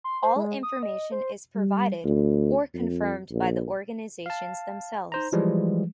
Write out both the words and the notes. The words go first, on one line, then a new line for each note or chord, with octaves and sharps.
All information is provided, or confirmed, by the organizations themselves.
C6
C5
G#3
D#6
D#5
C5
G3
D2
F2
A#1
F5 A5
D#4 C5 A#5
E3 F3 G3 G#3